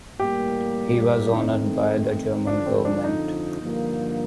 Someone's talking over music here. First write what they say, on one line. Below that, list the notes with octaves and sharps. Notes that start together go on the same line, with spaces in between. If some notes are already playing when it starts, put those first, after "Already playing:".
He was honored by the German government.
A2 G3 A#3 G4
D#3 A3 C4 D#4
F2 D3 F3 D4
C4
D4
D#4
G2 D3 F3 A#3 F4